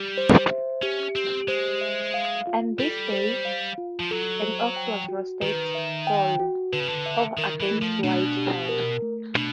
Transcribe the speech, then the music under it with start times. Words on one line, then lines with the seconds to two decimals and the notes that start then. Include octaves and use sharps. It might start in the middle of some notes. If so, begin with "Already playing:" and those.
And this day an ox was roasted whole, over against Whitehall.
Already playing: G3 G4
0.18 C5
0.50 E5
0.82 C#4 G4
1.15 C4 G4
1.48 G#3 C5
1.81 E5
2.14 F5
2.47 F4
2.79 G3 A4
3.12 C5
3.45 F5
3.78 F4
4.00 F3
4.11 F#3 A4
4.43 C5
4.76 G5
5.08 F#4
5.42 D#3 B4
5.75 E5
6.07 G5
6.39 F#4
6.73 D3 B4
6.80 C#3
6.88 D3
7.06 E5
7.38 D#3 A#4
7.60 E3
7.71 A3
7.82 F3
8.04 B2 D4
8.37 G4
8.69 A#4
9.02 A3
9.35 B2 D4